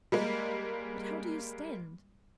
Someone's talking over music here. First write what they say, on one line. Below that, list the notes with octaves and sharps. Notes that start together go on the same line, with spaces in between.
'But how do you stand?
G3 G#3 A#3